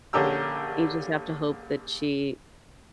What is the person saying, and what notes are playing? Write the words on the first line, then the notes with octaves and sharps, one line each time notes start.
you just have to hope that she,
A#1 D3 C#4 G4 A#4 E6